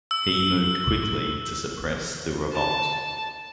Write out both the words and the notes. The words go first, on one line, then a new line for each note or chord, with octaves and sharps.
He moved quickly to suppress the revolt.
E6
A5